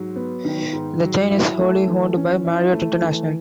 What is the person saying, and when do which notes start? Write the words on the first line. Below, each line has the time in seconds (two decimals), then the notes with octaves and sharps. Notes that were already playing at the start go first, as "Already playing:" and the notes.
The chain is wholly owned by Marriott International.
Already playing: G#2 F#3
0.16 B3
0.45 D#3
0.73 G#2
1.02 F#3
1.30 E4
1.59 A3
1.88 E3
2.16 C#4
2.45 E4
2.73 A3
3.02 E3